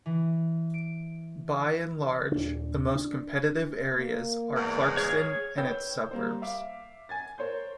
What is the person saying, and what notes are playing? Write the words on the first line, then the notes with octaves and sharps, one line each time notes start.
By and large, the most competitive areas are Clarkston and its suburbs.
E3
D7
D#1 D4
D4
A#3
E2 G#2
G#4 C#5 F6
B4 C#5 G5 E6 G6
G3 A#3 C5
E5 F5 D6
G#5 G#6 A6
A#4 C5 C#5 C6 G6